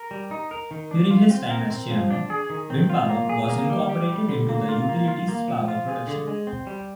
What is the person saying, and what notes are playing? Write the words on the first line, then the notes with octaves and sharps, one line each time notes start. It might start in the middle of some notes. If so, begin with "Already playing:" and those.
During his time as chairman, wind power was incorporated into the utility's power production.
Already playing: A#4
G3
D#4
A#4
D#3
D4
F4
C4
A#4
C4
F3
D4
G#4
D#3
C4
F4
A#3
G#4
A#3
G3
G4
G3
D3
A#3
F4
A#3
F4
A#3
F3
F4
G#4
D3
G#3
C4
G3